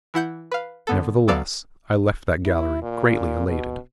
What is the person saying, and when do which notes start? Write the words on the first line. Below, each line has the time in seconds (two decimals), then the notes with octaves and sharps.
Nevertheless I left that gallery greatly elated.
0.14 E3 E4 F#5 G6
0.52 B4 F5
0.87 D3 B3 A4
1.28 D2 F#3 B3 A4 D5 F5
2.46 E4
2.82 A#2
3.47 B2